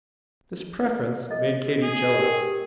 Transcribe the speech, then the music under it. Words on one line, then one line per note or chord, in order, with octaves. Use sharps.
This preference made Katy jealous.
A4 D#5
G#4
G4 A#4 G5